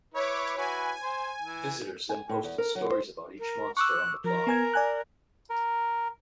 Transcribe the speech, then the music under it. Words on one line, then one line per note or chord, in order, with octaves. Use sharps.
Visitors then posted stories about each monster on the blog.
E4 B4 C#5 D6
E4 F#4 B4 G#5
C5
E3
G#5
A2
E2
A#4
F#3
C5
A#4
C#6 D6 E6 F#6
F3 A#4
B3 G#5 G#6
D5 G#5 F#6
A#4